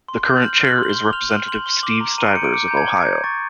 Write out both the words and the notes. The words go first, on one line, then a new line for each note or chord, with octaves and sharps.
The current chair is Representative Steve Stivers of Ohio.
C6
G6
F6 F#7
F6
F#7
C6 F#7
G7
C6
F6 F7
F6 F#7
C6 F#7
C6 G7
D6 F#7
A#5
A#5 D#7
D7
G6 C#7
D7
D6 C#7
A#5 G6
G#6
A#5
G#6
G6
G#6
C#6 A6